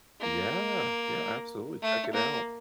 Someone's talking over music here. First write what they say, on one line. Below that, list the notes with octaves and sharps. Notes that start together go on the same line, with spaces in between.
Yeah, yeah, absolutely, check it out.
A#3
A3
A#3